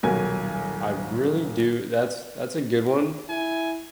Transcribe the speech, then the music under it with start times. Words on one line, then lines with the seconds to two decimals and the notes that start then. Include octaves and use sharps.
I really do that's that's a good one,
0.03 D#1 B1 F#3 A#4 G#5
3.29 E4 G#5